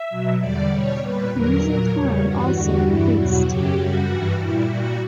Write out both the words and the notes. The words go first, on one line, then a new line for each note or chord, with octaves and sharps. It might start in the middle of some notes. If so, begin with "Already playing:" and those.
Leisure time also increased.
Already playing: E5
B2 F#3
E2 D3 G3 D5
B2 G3 C#5
A#2 G3 B4
E2 D3 F#3 A#4
A#2 F#3 A#4
E2 C#3 G3 C#5
G2 E3 G3 F#4
E2 D3 G3 F#4
G2 E3 G3 E4
E2 B2 F#3 F#4
F#2 C#3 F#3 G4
F#2 C#3 G3 F#4
G2 E3 G3
A#2 G3 E4
A#2 G3 F#4